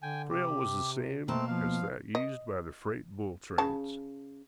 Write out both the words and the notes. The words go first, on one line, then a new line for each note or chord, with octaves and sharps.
The trail was the same as that used by the freight bull trains.
D3 G5 G#5
C3 G4
B2 A3 A#3 C4 A5
F3 F5
D#5
C#3 A5